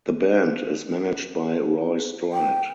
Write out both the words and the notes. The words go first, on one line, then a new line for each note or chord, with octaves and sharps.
The band is managed by Roy Stride.
G5